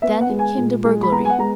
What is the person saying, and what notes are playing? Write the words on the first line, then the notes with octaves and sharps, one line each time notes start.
Then came the burglary.
B3 E5
F#5
G#3
G#5
A#2
G#3
B5
B3 A#5
G#5
F#5
G#3 A#5